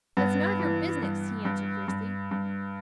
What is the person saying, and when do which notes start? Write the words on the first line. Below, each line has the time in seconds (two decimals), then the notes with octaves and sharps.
"That's none of your business," he answered, fiercely.
0.17 G2 B3
0.59 E3
1.03 G2
1.45 G2
1.88 G2
2.31 G2